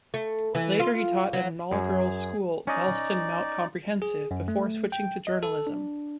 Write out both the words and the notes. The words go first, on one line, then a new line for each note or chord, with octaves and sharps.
Later he taught at an all-girls school Dalston Mount Comprehensive, before switching to journalism.
A3
E3
F4
F#3
F#2 G#4
C#4 D#4 D5 D#5
G#4
F#2
A3
G5
D#5
A4
D4